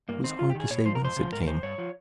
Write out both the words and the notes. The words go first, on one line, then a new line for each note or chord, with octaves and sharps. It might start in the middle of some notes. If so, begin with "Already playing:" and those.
"It was hard to say whence it came."
G2 A#3
D#3 C4
G2 F4
G4
D#3 G#4
A#2 C#5
F3 C5
A#4
F2 C5
C#3 F3
G#2 A#4
A#4
D#3 C5
G2 C#5
F3